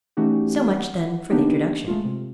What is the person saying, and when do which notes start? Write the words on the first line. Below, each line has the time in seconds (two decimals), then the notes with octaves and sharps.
So much, then, for the introduction.
0.17 E3 A3 C#4 D#4 F#4 G4
0.74 F#5
1.30 A#3 B3 D4 D#4 G4
1.88 G#3 A3 F4
2.05 C3